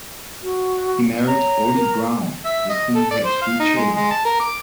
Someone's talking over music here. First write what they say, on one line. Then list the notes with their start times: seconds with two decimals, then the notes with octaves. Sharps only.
He married Olie Brown with whom he had three children.
0.43 F#4
1.28 C#5 A#5
1.76 A#4
2.46 E5
2.70 D#5
2.95 A4
3.11 D5
3.25 C5
3.42 F5
3.60 D#4
3.77 G#3
3.97 G#3
4.11 A5
4.25 A#4
4.40 D6